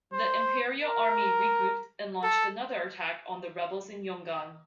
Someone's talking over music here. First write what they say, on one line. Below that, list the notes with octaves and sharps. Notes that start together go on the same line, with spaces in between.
The imperial army regrouped and launched another attack on the rebels in Yongan.
C5
A#4
A4